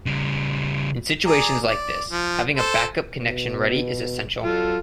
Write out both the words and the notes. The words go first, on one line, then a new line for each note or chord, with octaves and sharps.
In situations like this, having a backup connection ready is essential.
C#3 G3
G#4 D5 A#5
D5
F3
A4 C5
B2
F#3 F4 A4